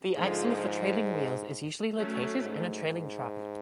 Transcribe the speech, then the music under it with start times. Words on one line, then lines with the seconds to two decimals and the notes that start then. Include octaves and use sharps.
The axle of the trailing wheels is usually located in a trailing truck.
0.17 G#2 D3 F3 G#3
1.97 F#3 A3 C#4
2.41 G#2
2.85 G#2